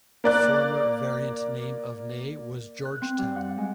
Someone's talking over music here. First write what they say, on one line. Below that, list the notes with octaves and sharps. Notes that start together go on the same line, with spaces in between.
A former variant name of Ney was Georgetown.
A#3 D5 F#6
F#6
C4
G3
F#5
G#3